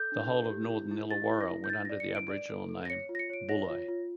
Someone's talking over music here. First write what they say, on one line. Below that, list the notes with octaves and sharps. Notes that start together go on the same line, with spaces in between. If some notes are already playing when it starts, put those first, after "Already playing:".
The whole of Northern Illawarra went under the Aboriginal name Bulli.
Already playing: A4 G6
D4
A4
G4
E4
E4
G4 A6
E4
A#6
E4
G6
E4 A6
D5 A#6
C#7
E4
D7
D5
A4
A4
A#6
C#5 C#7
F4
A#6
C#7
C#5 D7
C#5 A#6
F4
F4